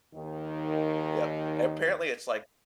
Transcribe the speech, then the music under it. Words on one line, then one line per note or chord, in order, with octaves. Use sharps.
Yep. And apparently, it's like
D#2 D#3